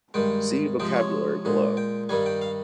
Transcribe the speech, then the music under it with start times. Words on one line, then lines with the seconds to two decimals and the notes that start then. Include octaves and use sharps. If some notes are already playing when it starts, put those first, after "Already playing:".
See Vocabulary below.
0.14 G2 D#3 G#3 G5
0.80 C3 F3 G#3 G5
0.96 C#5
1.45 A#2 G#3
1.77 G5
2.09 G2 D#3 G3 G#5
2.26 G5
2.42 F5